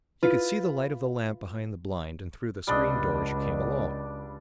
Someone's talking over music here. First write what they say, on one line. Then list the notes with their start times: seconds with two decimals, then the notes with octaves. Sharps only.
You could see the light of the lamp behind the blind, and through the screen door as you came along.
0.23 E4 F4 B4
2.67 C#2 G3 D4 D#5